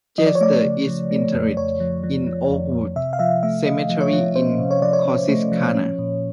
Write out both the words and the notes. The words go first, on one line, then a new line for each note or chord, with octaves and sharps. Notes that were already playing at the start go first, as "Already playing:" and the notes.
Jester is interred in Oakwood Cemetery in Corsicana.
F3 D#5
D5
C#5
A3 D5
C#3
F3
A3
F2
F2 C#5
F3
F3
F3
F2
F2
C3 E5
F5
F3 E5
A3 E5
A3 D#5
F3
C#5
F3
C#4 C5
C3
C#5
F3 D5
C#5
C#4
A3
F3
C#4
A#2